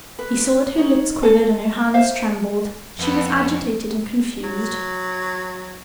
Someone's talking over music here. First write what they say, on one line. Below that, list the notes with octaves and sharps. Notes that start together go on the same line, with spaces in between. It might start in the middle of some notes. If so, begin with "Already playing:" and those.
He saw that her lips quivered and her hands trembled; she was agitated and confused.
B4
D#4 C#5
A4
C5 E5 F5
F2 B3
F#3